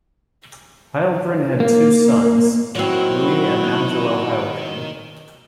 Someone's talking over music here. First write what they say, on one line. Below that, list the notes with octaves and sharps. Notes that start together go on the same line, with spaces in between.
Heilprin had two sons, Louis and Angelo Heilprin.
A#3
D#3 F#3 C4 E4 F#4